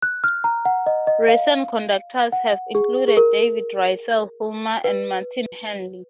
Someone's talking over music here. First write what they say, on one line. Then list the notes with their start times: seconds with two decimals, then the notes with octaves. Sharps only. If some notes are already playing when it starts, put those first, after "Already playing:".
Recent conductors have included David Russell Hulme and Martin Handley.
0.02 F#6
0.24 F6
0.44 A#5
0.65 F#5
0.86 D#5
1.07 D#5
1.28 F5
2.32 F#5
2.75 G#4
3.08 G#4
3.17 A#4
4.84 B4